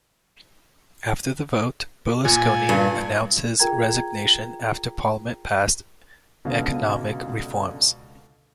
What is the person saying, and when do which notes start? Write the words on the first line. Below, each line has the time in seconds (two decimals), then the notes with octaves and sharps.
After the vote, Berlusconi announced his resignation after Parliament passed economic reforms.
2.25 A#2 G#5
2.69 G2
3.59 F4 G#4 A#4 G5 A#5 G#6
6.45 C#2 B2 D3 D#5 F5